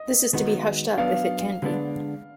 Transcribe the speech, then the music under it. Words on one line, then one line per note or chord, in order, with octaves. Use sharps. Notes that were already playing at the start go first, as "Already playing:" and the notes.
This is to be hushed up if it can be.
Already playing: D#5
D#3 G#3 B3 D#4 F#4
F#3 B3 D4 F5
D3 G#3 B3 D4